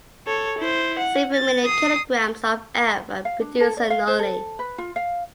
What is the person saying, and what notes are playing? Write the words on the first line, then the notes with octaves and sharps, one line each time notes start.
Several million kilograms of F are produced annually.
A4 C#5
E4 C5
F#5
A6
D#6 C7
F5
D4
A4
D5
F5
C5
A4
B4
F4
F5